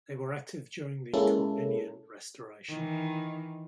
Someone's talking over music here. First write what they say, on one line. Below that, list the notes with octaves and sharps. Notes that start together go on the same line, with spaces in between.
They were active during the Komnenian restoration.
G#3 A#3 C#4 E4 A4
D#3 E3